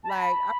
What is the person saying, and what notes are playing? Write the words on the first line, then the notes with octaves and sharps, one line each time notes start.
Like, I
A5
B5